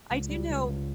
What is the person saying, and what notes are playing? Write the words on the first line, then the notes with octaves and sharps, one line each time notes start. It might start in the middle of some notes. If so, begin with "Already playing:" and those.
I do know
C#2
G3
C#2
C#2